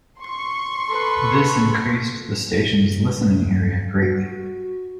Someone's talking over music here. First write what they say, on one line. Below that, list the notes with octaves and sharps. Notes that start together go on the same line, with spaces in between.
This increased the station's listening area greatly.
C6 C#6
A4 B4
G2
F#4